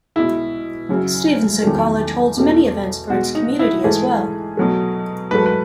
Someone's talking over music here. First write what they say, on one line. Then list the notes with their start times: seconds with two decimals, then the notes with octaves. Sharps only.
Stevenson College holds many events for its community as well.
0.16 B2 G#3 E4
0.89 F#2 C#3 F#3
1.63 E2 D#3 F#3 A3
2.37 E2 B2 A3
3.10 B2 G#3 F#4
3.35 D#4
3.59 E4
3.84 G#2 E3 A3 G#4
4.57 B2 F#3 A3
5.31 G#2 F#3 A3 B4
5.46 B4